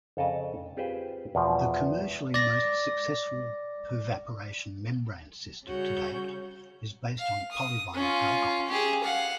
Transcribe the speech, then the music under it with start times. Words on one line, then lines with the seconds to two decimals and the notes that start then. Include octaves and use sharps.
The commercially most successful pervaporation membrane system to date is based on polyvinyl alcohol.
0.17 F2 C#3 A4 D5 D#5 A5
0.77 C4 F4 G4 G#4 B4 C5
1.35 E2 B2 F3
2.34 D5 A#6
5.64 C#3 G3 F#4 C#5 G6
7.18 F5
7.52 D#6
7.94 C#4 F4
8.68 G4 G#4
9.04 F5 F#5